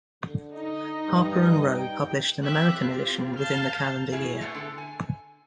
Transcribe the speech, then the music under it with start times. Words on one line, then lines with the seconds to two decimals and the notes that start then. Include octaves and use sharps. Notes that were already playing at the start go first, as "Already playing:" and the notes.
Harper and Row published an American edition within the calendar year.
0.24 D3
0.53 D#4 D#5
1.07 G2
1.77 G5
2.41 C4 G4 E5 F#6
2.79 C4 F4 G4
3.37 F5 A5 F6 G6
4.12 A2 E4 G#4
4.41 B2 A3 B3
4.55 D3 A4
4.78 G#5